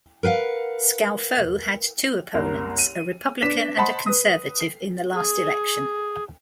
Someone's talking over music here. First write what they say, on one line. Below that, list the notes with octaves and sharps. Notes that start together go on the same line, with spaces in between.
Skowfoe had two opponents, a Republican and a Conservative, in the last election.
A#4 B4 F5 F#5
F#1 C2 A#4
D#7
B3 D4 B6 E7
C5 D#5 F#5 A5 B5 C6
B4 D#6
C7
G#4